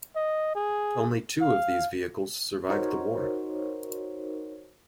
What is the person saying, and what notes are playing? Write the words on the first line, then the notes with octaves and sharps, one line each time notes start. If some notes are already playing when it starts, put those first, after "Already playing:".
Only two of these vehicles survived the war.
D#5
G#4
F5
D#4 F#4 A#4 C5 C#5